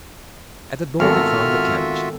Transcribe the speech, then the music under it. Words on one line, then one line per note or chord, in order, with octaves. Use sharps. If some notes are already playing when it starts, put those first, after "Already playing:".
At the door they found the carriage.
G#1 B3 F4 F#4 A4 A#4 E5 F6